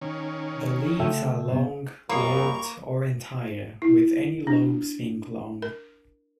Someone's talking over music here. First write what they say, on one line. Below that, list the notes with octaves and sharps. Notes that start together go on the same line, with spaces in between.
The leaves are, long, lobed or entire, with any lobes being long.
D#3 C#4
C#3 A3 F4 A4 E5 G5
B2 B3
F#2 A#2 G3 A#3 A#4 A#5 B5 C#6
E4
D4
A#4